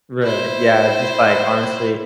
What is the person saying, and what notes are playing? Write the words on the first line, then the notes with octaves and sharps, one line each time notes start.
Right, yeah, just, like, honestly,
E4 C5